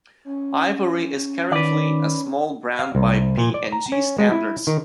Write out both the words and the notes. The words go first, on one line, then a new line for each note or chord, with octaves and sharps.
Ivory is currently a small brand by P and G standards.
C#4
D#3 B4 D5
F5
C2
A#2
D5
A#5
C#4
G#3
E4
D#3